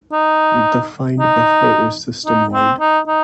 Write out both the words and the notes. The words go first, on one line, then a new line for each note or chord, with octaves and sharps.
The find buffer is system wide.
D#4
D#4
D#4
C4
D#4
D#4